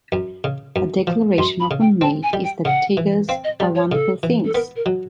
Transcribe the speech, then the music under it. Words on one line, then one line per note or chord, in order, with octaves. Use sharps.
A declaration often made, is that Tiggers are wonderful things.
F#2
C#3
F#2
F3
F#2 C6
B5
C#3
G5
C4 A5
G#5
G3
G5
C#3 F#5
E3
C4 F5
D#5
G3 D5
C#5
C#3 A4
E3
A4
B3 A#4
A#4
F#3